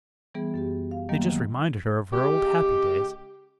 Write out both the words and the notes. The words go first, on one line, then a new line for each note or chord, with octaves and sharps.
They just reminded her of her old happy days.
E3 G3 B3 G#4
F#2 B3 G4
F5
D#3 F#3 G3 A#3 B3
C#3 G#3 G4